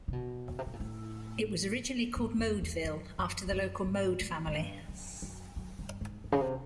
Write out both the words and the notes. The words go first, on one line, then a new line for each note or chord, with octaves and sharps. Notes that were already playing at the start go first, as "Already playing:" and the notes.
It was originally called Modeville, after the local Mode family.
C3
B2
C3
B2
A#2
A2
G#2
F2
E2
F#2
F#2
F2
F#2
G#2
G#2
G#2
G2
F#2
F#2
F#2
G2
G#2
G#2
C#3
C3